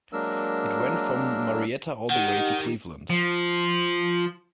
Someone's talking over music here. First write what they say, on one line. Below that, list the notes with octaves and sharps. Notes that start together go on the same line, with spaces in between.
It went from Marietta all the way to Cleveland.
F#3 G#3 A#3 D4 A#4 E6
D#3 D#4 G4 F#5
F3